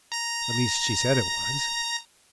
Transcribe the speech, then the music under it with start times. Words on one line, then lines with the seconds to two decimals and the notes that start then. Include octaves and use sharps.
At least she said it was.
0.12 A#5 A#6